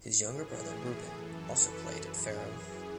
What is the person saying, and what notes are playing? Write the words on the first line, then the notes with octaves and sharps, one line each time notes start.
His younger brother Ruben also played at Ferro.
A2 E3 G#4
F#2 E3 A4
B4
F#2 E3 G#4